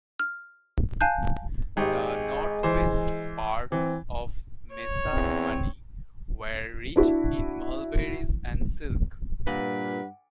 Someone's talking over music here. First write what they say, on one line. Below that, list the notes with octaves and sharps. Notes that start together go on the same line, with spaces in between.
The north-west parts of Mesa Mani were rich in mulberries and silk.
F6
F5 G#5 A5 F#6 G6
G#1 G#3 G4
E3 C5
E3 C4
C#5
E2 C4
D4 E4 F#4
G2 A#2 B4 F#5